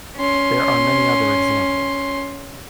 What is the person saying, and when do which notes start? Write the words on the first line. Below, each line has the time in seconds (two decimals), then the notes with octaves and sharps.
There are many other examples.
0.17 C#4 C6